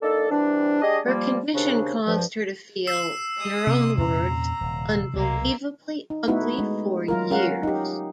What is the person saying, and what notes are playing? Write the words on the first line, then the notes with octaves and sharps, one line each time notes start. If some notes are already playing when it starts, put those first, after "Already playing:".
Her condition caused her to feel, in her own words, "unbelievably ugly for years".
A#3 D4 D#4 A4
E3 G3 C4 D4
G#3 D4 G4 G#4 D#5
F3 G3 A#3
D#2 C#3 C4 D4
G2 F3
E6 C7 E7
G#3 D#6
C3
E2 A#2 C#4 A#5
D#1
C2 B2 F#3 G#3 A#3
D#4
A3 B3 D#4 E4 F#4 B4
G#3
F#3 F4 A#4
C#4 A#4 F5 F#5
D#4 G4